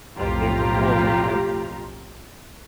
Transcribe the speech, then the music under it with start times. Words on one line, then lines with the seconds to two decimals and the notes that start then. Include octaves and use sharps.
Like, there's a whole attempt
0.17 B1 F2 A2 F4 G4 A#5